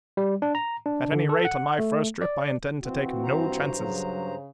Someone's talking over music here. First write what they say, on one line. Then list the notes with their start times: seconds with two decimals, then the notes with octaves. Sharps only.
At any rate, on my first trip I intend to take no chances.
0.17 G3
0.42 D4
0.55 A#5
0.86 D4
1.12 D3
1.29 A4
1.45 F#5
1.79 A3
2.22 D5
2.82 F2 E3 C4 F#4
3.24 G2 C5 A#5
3.78 C#3 F#3